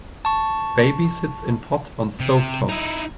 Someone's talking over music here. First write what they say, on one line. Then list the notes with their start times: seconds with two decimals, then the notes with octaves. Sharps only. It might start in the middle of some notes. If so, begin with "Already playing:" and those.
Baby sits in pot on stove top.
0.25 A5 C#6
2.20 C3
2.69 D#4 E4